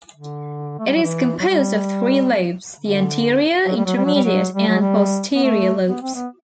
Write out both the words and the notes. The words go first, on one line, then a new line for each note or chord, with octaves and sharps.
It is composed of three lobes: the anterior, intermediate, and posterior lobes.
D3
A3
G3
F#3
E3
F#3
G3
D3
F#3
G3
F#3
G3
F#3
G3
F#3
G3
F#3
G3
B3
A3
B3
C4
B3